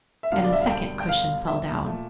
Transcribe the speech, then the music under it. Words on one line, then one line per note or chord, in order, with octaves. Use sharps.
And a second cushion fell down.
E5
E1 D2 D3 G3 F5
D5
E5
F5
G5
G5
F5
E5
A#2 A3